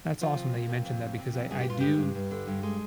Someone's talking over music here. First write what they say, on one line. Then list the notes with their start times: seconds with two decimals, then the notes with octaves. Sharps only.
that's awesome that you mentioned that because I I do,
0.21 F3 F4
0.37 C3
0.54 A#3
0.69 C3
0.85 F2
1.02 C3
1.18 C3
1.33 F2
1.51 G2 G#4
1.61 G4
1.67 G2 F4
1.80 G#3 G4
1.98 G2
2.15 G2
2.31 D3
2.47 G2
2.63 G#3